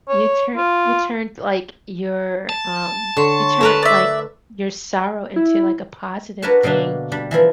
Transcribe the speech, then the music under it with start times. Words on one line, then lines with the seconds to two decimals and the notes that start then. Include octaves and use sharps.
You turn you turned, like, your, um you turn, like, your sorrow into, like, a positive thing,
0.09 C#5
0.57 F4
2.49 A5
3.17 D3 C#5 C6 C#6
3.61 A3 A#4 B4
3.83 D5 E5
5.36 E4
6.42 D4 F#4 A#4 B4 C#5 A5
6.63 B2 D3 A#3 D4 E5
7.12 G3 D4 B5
7.31 E3 F3 E4 A#4